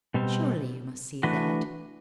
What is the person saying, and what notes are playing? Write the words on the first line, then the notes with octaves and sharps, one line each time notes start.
Surely you must see that.
B2 G3 C4
E3 A3 D4 F#4 B4